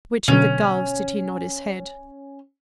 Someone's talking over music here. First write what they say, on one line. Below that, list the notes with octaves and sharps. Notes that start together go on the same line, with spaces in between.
To which of the gulfs did he nod his head?
B2 D3 F#3 C#4